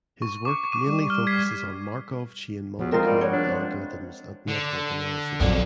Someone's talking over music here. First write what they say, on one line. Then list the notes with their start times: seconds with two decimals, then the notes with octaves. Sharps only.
His work mainly focuses on Markov chain Monte Carlo algorithms and network analysis.
0.22 C#6
0.45 C#6 D6
0.72 D6 D#7
0.87 G3
1.10 F6
1.27 G#6 B6 C7
2.79 E2 F3 F#4
2.92 G#3 C4 F4 A#4 D#5 F5
3.06 G3
3.21 C#5 F#5
3.32 D4
3.47 C4 C5
4.49 D3
5.40 A#1 F2 F#3 A#4 D5